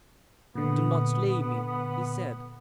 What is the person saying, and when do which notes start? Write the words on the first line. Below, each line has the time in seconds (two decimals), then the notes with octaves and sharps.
"Do not slay me," he said.
0.55 A#2 D3 B3